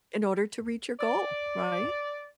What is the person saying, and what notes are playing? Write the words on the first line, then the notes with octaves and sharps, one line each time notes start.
In order to reach your goal, right?
D5